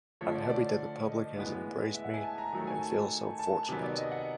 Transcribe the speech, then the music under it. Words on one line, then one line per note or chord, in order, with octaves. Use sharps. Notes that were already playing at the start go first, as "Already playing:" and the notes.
I'm happy that the public has embraced me and feel so fortunate...
D3 F3 A3 C#5
D5
D5
D#5
A2 E3 G#3 B3
E5
F#5
G#5
A5
A#5
D#3 F#3 A3 A#5
G#5
A5
A5
C3 D#3 F#3 B3 G#5
D5
D#5
F#5